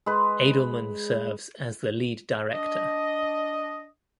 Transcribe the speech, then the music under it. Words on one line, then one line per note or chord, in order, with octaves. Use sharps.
Adelman serves as the Lead Director.
G#3 B4
D4 D#5